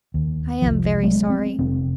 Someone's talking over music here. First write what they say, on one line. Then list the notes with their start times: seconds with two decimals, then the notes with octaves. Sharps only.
I am very sorry.
0.14 D#2
0.62 F1 C2 F3
1.03 F#3 G#3 A3 B3
1.29 C4
1.59 F1 C4